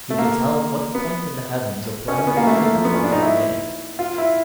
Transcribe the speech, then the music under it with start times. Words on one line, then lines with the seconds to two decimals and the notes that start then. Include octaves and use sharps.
He can tell what point in the heavens a planet will reach on a given day.
0.10 A3
0.18 A#3
0.95 B3
2.08 C#4
2.18 C#4
2.27 B3
2.37 A#3
2.47 A3
2.55 A#3
2.65 A3
2.75 F3
2.85 B3
2.94 C#4
3.03 D4
3.12 D#4
3.22 E4
3.99 F4
4.18 E4